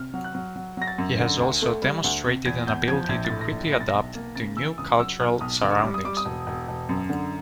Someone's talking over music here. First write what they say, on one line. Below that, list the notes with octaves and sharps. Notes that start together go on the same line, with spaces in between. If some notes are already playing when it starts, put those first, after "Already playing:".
He has also demonstrated an ability to quickly adapt to new cultural surroundings.
Already playing: C3 F6
F#3
F#6
F#3
F#3
F#3 A#6
A6
F#2
D3
D2
A3
G3
D2
C3
E2 G#6
E2 G6
F3 G#6
G6
A#1 G#6
A6
A2
A#6
A#1
B1 A#6
A6
B1 A#6
A#3
C#3 A6
E3 E6
C#2 D#6
F#3 E6
B1 F6
B1 D#6
D3 D6
C#6
G3 D6
D#6
G3 D6
D#6
E1
E1
E1
F#2
D3